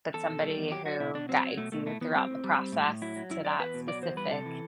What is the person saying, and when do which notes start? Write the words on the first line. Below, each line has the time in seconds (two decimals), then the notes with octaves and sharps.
but somebody who guides you throughout the process to that specific,
0.14 E2 A4
0.29 B2
0.43 G3
0.57 E2
0.72 F#3 G4
0.86 F#3 F#4
1.00 B2 E4
1.14 B2 D4
1.29 F#3 C4
1.44 F#3
1.57 B2 A3
1.72 B2 A3
1.86 A2 A3
2.01 E3 B3
2.15 G3 C4
2.30 A2
2.44 G3
2.58 G3
2.72 A2
2.87 A2
3.02 F#3 E4
3.16 F#3
3.30 F#2 E4
3.45 F#2 D5
3.60 E2 B4
3.74 B2
3.88 F#3 D5
4.02 E2 C5
4.17 G3 B4
4.31 C3 A4
4.46 E3